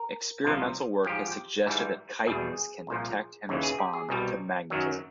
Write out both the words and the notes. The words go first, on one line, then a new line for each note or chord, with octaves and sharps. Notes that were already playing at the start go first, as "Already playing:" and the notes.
Experimental work has suggested that chitons can detect and respond to magnetism.
Already playing: A#4
C2 C3 F3
G#2 F3 G4
G#2 E3 G3
E2 B2 G3 G#4
C2 A#2 F3
D#2 C#3 E3
G#4
G4
G#4
C2 B2 G3
F#2 D#3 F#3